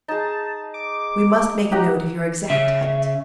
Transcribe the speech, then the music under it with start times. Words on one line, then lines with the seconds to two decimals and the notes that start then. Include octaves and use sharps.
"We must make a note of your exact height."
0.08 D#4 G#4 A5
0.74 D6
1.71 D#4 G4 F#5 A#5
2.50 C#3 E5